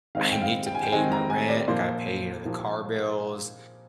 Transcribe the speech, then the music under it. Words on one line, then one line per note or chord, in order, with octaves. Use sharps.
I need to pay my rent. I gotta pay, you know, the car bills.
D#3 G#3 C4 F5
G5
F5
G5
G#5
G5
D#3 G#3 C4 G#5
A#5
G#5
D5
A#2 F3 A#3 C5
A#2 F3 A#3